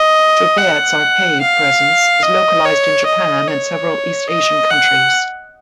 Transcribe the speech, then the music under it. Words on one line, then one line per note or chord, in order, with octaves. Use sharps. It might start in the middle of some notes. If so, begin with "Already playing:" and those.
Jubeat's arcade presence is localized in Japan and several East Asian countries.
Already playing: D#5
F#5
F5
D#5
C#5
D#5
C#5
D#5
F#5